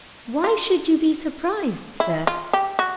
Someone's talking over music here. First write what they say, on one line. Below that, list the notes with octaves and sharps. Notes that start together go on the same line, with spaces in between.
"Why should you be surprised, sir?"
F4
E4
F4
G4
F#4